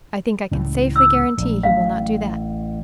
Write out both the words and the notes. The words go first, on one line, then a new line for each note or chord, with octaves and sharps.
"I think I can safely guarantee he will not do that."
C#2 A2 E3
E6
A#1 A3
A1 F#3 A3 F5